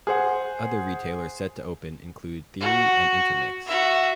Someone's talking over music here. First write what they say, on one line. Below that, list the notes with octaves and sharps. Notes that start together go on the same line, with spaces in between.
Other retailers set to open include Theory and Intermix.
G#4 C5 F#5
F#4
F#4 E5